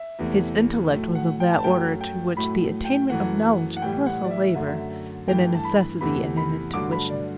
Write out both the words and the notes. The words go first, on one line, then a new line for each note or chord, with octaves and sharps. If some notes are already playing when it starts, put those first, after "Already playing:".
His intellect was of that order to which the attainment of knowledge is less a labor than a necessity and an intuition.
Already playing: E5
E2 C3 E3 A3
A2 F#3 A3
F#5
G5
A5
F#2 F#3 A3 G5
G5
A2 F#3 A3 B5
G5
F#2 E3 A3 F#5
F#5
A2 E3 G3 G5
F#5
D5
E5
F#2 D3 A3
G2 E3 A3 G5
A5
B5
E2 C3 E3 A3 B5
B5
G2 D3 F#3 A3 D6
B5
D5